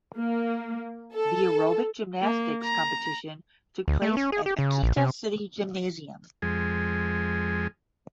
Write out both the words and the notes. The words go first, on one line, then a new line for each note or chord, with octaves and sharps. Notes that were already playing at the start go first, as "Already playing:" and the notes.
The aerobic gymnastics competition took place at Akita City Gymnasium.
A#3
A4
A#3
A#5
D2
A3
C#4
G#4
G4
C#3
A#1
C3
F2 G#3